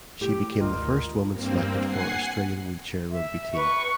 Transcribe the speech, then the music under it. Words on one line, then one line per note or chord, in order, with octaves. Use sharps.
She became the first woman selected for Australian wheelchair rugby team.
A2 G4
G#1 D2 F4 A#4 D#5
G2 A#3 C4
F#5 G#5 C7
E5
B4 C#6